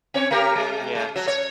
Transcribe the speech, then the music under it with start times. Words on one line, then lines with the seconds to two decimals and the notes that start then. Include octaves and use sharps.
Mm yeah.
0.14 C4 C#5
0.31 A3 G4 A#4
0.56 G#3
0.95 G#3
1.16 F#3
1.28 C#5